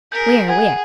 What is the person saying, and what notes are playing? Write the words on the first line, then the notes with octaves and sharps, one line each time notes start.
Where, where?
G#4 A#4 G6 B6
G#4 F#5 G#5 G#6